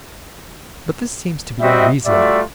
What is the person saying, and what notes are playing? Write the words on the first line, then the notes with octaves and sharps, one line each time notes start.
But this seems to be unreasonable.
G3 C4 F#4 D#5 E5
G3 A3 F4 F#4 D5 E5